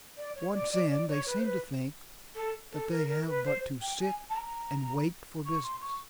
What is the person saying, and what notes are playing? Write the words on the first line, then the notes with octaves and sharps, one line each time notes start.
Once in, they seem to think that they have but to 'sit and wait' for business.
D5
C#5
D5
D5
D5
C#5
B4
C5
B4
A4
A4
A#4
A#4
B4
C5
G5
G#5
A5
A#5
C#6
C6
C#6